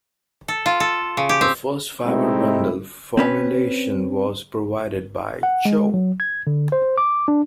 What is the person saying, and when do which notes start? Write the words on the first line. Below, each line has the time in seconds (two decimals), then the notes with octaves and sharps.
The first fiber bundle formulation was provided by Cho.
0.48 A4
0.66 F4
0.80 A4
1.17 C#3
1.29 G4
1.41 C4
2.05 C3 G#3 A3 C4 D#4 E4
3.17 C4 C#4 B4
5.43 F#5
5.65 G#3
5.94 F#3
6.20 G#6
6.47 D3
6.72 C5
6.98 D6
7.28 D4